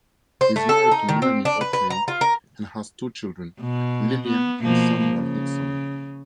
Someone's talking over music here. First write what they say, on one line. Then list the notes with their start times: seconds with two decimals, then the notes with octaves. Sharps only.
He is married to Melanie Otey and has two children: Lillian and Samuel Hixon.
0.41 C5
0.56 A3
0.69 A4
0.92 D#4
1.09 D#3
1.22 C4
1.45 D4
1.61 B4
1.73 B4
1.90 A#5
2.08 F4
2.21 A#4
3.60 B2
4.28 B3
4.62 B2 F3 A#3
5.15 C#3